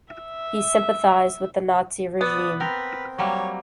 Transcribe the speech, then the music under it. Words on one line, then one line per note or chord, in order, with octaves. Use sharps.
He sympathized with the Nazi regime.
E5
B3 D5 D#6
C4 A#4 B4
F#3 G3 A#3 C#5